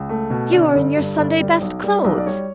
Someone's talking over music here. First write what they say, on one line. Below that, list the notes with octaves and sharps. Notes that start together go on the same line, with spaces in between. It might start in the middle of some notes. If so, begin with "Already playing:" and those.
You are in your Sunday-best clothes!'
Already playing: C#2
A3
B2
D3 D5
G1
G2
G1
G3
B1
G3
B1
D5
G3 C#5